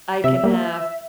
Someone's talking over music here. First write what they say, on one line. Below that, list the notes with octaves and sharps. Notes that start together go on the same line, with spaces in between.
I can have
C3 E5
G3 A#3